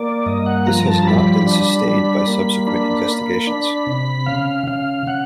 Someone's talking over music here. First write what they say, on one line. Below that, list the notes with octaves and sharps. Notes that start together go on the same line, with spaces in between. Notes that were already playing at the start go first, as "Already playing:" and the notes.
This has not been sustained by subsequent investigations.
Already playing: A#3 D5
G2 D#5
F#5
F3 A#5
A5
A#5
G3 B5
D4
G3
A#3
D4 B5
A#3
D4
C3
C#3 F5
C#3 F5
C#3 F#5